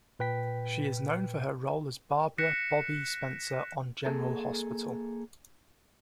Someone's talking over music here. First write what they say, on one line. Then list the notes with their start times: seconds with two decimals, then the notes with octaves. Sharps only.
She is known for her role as Barbara "Bobbie" Spencer on "General Hospital".
0.19 A#2 B4 G5 B6
2.38 F#6 A#6 B6 C#7 E7
4.06 A#3 G#4 A4